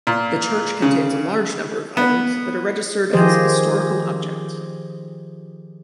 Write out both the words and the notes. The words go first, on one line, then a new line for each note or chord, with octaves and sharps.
The church contains a large number of items that are registered as historical objects.
A#2
C#3
B3
D#3 F3 G4 G#4 C5 D#5